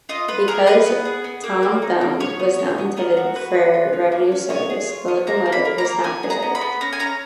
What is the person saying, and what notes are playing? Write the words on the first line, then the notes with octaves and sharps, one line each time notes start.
Because "Tom Thumb" was not intended for revenue service, the locomotive was not preserved.
F4 D#5
F4 B4
G#4 A#4
G#4 B4
B3
G#4
B3
A#3
A#3
D#4
A#3
B3 C#5
B3
B3
B3
B3 A#4
F#4
F#4 B4
F#4
F4
C#4
A#3
C#4
B3 C#5
G#4
F4
B3
A#3 A#5
A#3
B5
A#3
A#5
A#3
B3 G#5
G#4
A#5
B3
B5
B3
C#4 A#5
G#5
C#4 A#5